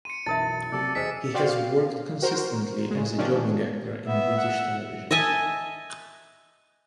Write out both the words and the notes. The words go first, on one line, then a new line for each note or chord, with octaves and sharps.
He has worked consistently as a jobbing actor in British television.
C6 C#7 D#7
B1 F#2 E3 E4 A#4 E5 A6
C3 F#3 A4 D5 A5
E2 G#4 C5 D#5 E6 B6 C#7
F#4 C5 D5 F5 G5
F5
F#4 A#4 C5
C#3 G#3
C3 D#3 F3 C#4 D4
B3 E5
F#5
D#5 E5 G#5 A5